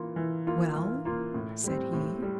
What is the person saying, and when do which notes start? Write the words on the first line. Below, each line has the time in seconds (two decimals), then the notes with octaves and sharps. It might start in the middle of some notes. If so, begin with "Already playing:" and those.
"Well?" said he.
Already playing: E3 A#3 F4
0.16 E3
0.47 A#3 F4
0.76 E3
1.05 A#3 F4
1.34 A2
1.64 G3 C4
1.93 A2
2.23 G3